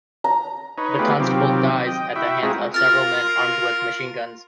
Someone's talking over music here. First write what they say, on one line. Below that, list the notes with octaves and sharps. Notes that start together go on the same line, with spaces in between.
The Constable dies at the hands of several men armed with machine guns.
A#5
D#4 B4 C#5
A3 B3 F4 G4 G#4 B4
C3 D#3 F#3 C4 F4 G4
D#5 G5
E4 F#4 E5 G5
G#3 C4 F4 F#4 G#4 A#5
F4 A#4 F6 A6